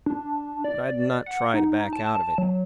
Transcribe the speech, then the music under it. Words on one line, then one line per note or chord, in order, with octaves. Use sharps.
But I did not try to back out of it.
D4
D5
F#5
D#4
A5
F#3